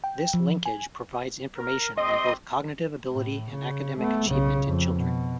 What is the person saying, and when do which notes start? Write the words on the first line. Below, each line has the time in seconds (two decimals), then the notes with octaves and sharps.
This linkage provides information on both cognitive ability and academic achievement in children.
0.04 G5
0.34 F3
0.66 G#5
1.58 A#4
1.97 C4 G4 D#5 C6
3.11 A2
3.50 C#3
3.98 A3 B3
4.29 B1 C#3
4.64 F2
4.96 B2